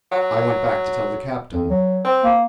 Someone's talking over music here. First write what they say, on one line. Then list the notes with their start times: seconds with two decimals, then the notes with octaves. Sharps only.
I went back to tell the captain.
0.12 F#3
1.52 F2
1.70 F#3
2.04 C4
2.24 A#3